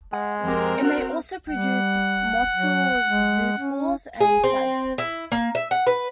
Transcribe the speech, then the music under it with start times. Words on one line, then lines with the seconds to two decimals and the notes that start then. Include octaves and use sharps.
It may also produce motile zoospores and cysts.
0.13 G#3 F#5
0.44 F2 C4 G4 A#4
0.82 F#4 F#5
1.50 G3 F#5
2.53 F#3
3.05 G#3
3.58 C#4
4.21 G#4
4.44 C4
4.98 E4
5.32 A#3
5.55 E5
5.71 F#5
5.87 B4